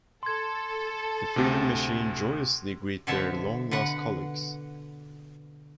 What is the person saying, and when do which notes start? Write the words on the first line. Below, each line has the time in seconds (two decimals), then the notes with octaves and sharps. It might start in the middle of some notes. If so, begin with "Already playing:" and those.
The Freedom Machine joyously greet their long lost colleagues.
0.23 A4 C6 G#6
1.36 D2 C3
3.07 B2 D3 F3 C#5 E5 A5
3.71 D3 B4 F#5